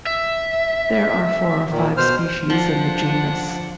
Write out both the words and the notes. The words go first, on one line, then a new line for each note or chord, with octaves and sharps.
There are four or five species in the genus.
E5
A#2 D#3
B2 C5 F6
F3 D4 F#5